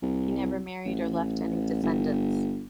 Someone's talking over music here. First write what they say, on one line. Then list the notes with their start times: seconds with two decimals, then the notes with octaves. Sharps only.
He never married or left any descendants.
0.02 C2
0.85 A1
1.83 G1